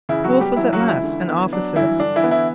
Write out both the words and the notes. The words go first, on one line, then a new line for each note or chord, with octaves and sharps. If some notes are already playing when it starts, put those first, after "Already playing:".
Wolfe was at last an officer.
C#3 E3 E4
F#3 F#4
B3
G3 G4
E3 F#3 E4
F#3 F#4
C#2
E3 E4
D3
B3
F#3 D4
G2 E3 E4
D3 D4
E3 E4
B3
E3 E4